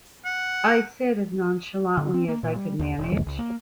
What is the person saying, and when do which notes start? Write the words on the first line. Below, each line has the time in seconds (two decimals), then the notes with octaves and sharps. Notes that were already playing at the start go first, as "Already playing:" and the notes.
I said, as nonchalantly as I could manage.
0.25 F#5
1.97 D3
2.14 C4
2.28 A#3
2.43 A#2
2.56 G3
2.79 D#2
2.98 E1
3.13 F2
3.27 C#2
3.39 A#3